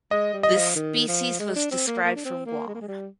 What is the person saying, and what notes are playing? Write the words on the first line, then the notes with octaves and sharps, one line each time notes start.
This species was described from Guam.
G#3 D#5
G3
D#5
F3
D#3
F3
G#3
D4
C4
A#3
A#3
D4
C4
A#3
G#3
A#3
G#3
G3